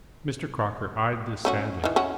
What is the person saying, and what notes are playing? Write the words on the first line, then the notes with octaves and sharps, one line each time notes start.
Mr. Crocker eyed this sadly.
A3 C#4 F#4
D#3 E3
C#4 E4 F#4